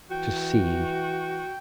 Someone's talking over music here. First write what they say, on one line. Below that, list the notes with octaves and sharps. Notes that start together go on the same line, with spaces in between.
To see.
E3 F#4 G5